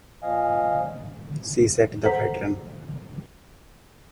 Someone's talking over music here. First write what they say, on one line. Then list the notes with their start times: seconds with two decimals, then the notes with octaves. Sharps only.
She set the pattern.
0.22 A#2 F3 D#5 F5 G#5
2.04 A4 C5 F#5 A#5 B6